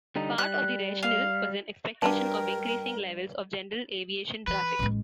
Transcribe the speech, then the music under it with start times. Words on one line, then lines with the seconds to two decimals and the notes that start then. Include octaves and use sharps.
Part of the rationale was an expectation of increasing levels of general aviation traffic.
0.16 D3 G3 D#4
0.38 G3 F#6
1.03 F5
2.02 G2 D4 F#4 A#4 G5 A5
4.47 E3 B4
4.79 A1 G#3